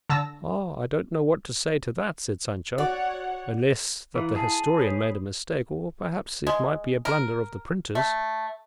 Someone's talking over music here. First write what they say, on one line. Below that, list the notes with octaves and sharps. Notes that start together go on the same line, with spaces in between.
"I don't know what to say to that," said Sancho, "unless that the historian made a mistake, or perhaps it might be a blunder of the printer's."
D3 A5 E6 A#6
F#4 C#5 D5 F#5
E3 E4 F5
G#4 A5
C#5 B5 D#6
G#3
A#4
A3